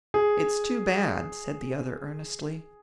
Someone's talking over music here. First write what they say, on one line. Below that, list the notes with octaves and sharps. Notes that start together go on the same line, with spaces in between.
"It's too bad," said the other, earnestly.
G#4